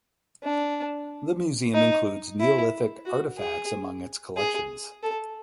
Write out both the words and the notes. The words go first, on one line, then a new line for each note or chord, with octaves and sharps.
The museum includes Neolithic artifacts among its collections.
D4
D#4
E4
F#4
G#4
G#4
A4